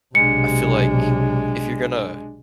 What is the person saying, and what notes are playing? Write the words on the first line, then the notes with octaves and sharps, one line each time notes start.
I feel like if you're gonna
B1 C3 G#3 D4 C#7